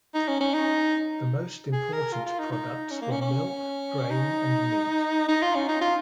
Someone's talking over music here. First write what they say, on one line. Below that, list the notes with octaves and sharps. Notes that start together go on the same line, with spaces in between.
The most important products were milk, grain and meat.
D#4
C#4
C#4
D#4
G#4
A#4
F4
F4
D#4
D#4
C#4
A#3
C#4
C#4
D#4
D#4
F4
C#4
D#4
F4